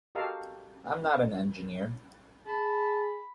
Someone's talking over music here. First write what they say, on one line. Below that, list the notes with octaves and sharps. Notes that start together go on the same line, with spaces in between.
I'm not an engineer.
F#4 G4 A4 A#4 D#5 F5
G#4 A5 B5